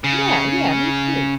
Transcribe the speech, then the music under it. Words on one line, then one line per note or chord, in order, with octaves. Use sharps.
Yeah, yeah. Me too.
C#3